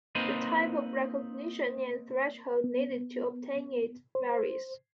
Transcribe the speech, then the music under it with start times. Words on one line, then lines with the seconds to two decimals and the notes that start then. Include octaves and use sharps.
The type of recognition and threshold needed to obtain it varies.
0.15 A#3 C4 D#4 B4 C5 D#5
2.64 B3
4.15 C5